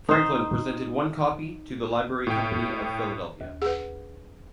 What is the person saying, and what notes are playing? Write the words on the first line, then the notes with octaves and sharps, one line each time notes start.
Franklin presented one copy to the Library Company of Philadelphia.
D#4 C5
A2 G5
D#2
G#4 B4 F#5